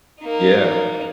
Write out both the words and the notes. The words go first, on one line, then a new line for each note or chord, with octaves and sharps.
Yeah, like
A#3 D#4